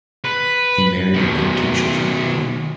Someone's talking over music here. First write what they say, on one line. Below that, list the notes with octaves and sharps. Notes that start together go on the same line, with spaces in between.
He married and had two children.
B4
B2 D#3